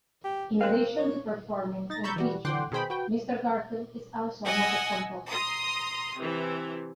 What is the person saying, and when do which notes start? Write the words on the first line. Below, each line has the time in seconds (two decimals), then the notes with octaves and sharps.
In addition to performing and teaching, Mr. Garfield is also a noted composer.
0.24 G4
0.61 C4 A#4 F5 F#6
0.98 C#5
1.90 D#4 A6 A#6
2.03 A#5 B5 C#6 E6 G6 A6
2.16 E3 G3 F#4
2.45 D3 E3 F#5 G5 C6 D6
2.72 B2 D#3 G#4 C5 G5 B5
2.90 F#4 B4 G5
4.45 D#5 F#5 G#5 E6
5.29 A#5 C6 D#6
6.16 C3 E3